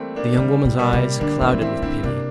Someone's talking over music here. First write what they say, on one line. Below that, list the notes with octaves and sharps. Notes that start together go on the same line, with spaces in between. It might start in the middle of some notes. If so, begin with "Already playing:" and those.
The young woman’s eyes clouded with pity.
Already playing: E3 G3 A3 A#3 C4
A#3 D4
D3 G3 A#3
C3
G3 A#3
C3
D3 A#3 D4
E3 C4 E4
F3
E3 C4 E4
D3 C4 E4
C3 A#3 D4